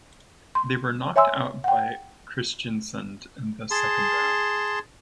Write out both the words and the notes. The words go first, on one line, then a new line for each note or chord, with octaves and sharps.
They were knocked out by Kristiansund in the Second Round.
C6
C#5 E5 G#5 C6 E6
F#5 G5
G#4 A5 C6